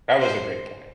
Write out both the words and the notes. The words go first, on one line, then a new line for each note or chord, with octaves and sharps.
that was a great point.
C5